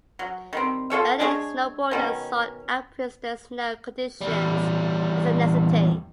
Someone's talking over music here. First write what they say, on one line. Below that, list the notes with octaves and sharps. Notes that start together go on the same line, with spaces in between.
Early snowboarders sought out pristine snow conditions as a necessity.
F#3
D#3 G3 C4
F4 A4 C#5 E5
G#3 D4 G#4 C#5
B2 D#3 C#4
E2 G3